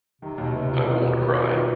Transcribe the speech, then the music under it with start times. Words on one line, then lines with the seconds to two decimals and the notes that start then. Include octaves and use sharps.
I won’t cry.
0.22 C3 D#3
0.38 D#2 B2
0.54 C3 B3
0.70 B2 F4
0.86 D#3
1.03 D#2
1.19 B3
1.36 F4
1.52 D#3